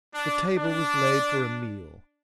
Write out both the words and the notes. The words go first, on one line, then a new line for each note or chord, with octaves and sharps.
The table was laid for a meal.
D4
D4